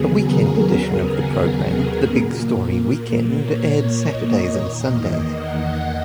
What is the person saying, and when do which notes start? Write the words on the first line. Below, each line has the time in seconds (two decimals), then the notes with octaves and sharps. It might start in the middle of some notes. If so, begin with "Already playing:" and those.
A weekend edition of the program, The Big Story Weekend, aired Saturdays and Sundays.
Already playing: D#2 C#3 F#3 B3 G#4
0.19 A#4
0.83 G#4
2.10 A#2 A#3
3.37 C#5
3.70 C#5
4.01 D#5
4.65 E2 D#3 A#3 D#5
5.28 F#5